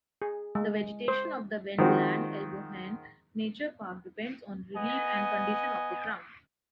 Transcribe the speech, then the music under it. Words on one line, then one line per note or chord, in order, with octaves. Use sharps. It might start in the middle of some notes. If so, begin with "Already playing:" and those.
The vegetation of the Wendland-Elbhöhen Nature Park depends on relief and condition of the ground.
G#4
G#3
C5
D#3 F3 G#3 C4 F#4
B3 D#5 G#5